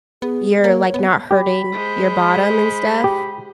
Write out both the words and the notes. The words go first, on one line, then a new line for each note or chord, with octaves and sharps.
you're, like, not hurting your bottom and stuff.
B3 G#4
A#3 C#5
B3
G4 B5
G#3 C5
G4